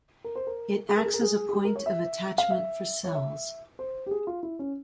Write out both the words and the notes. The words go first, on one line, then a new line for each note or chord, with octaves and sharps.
It acts as a point of attachment for cells.
A#4
C5
A#4
G#4
A#4
G#4
A#4
G#4
G#4
G4
A#4
C#5
E5
F5
E5
C#5
E5
C5
G4
G#4
F4
E4
C#4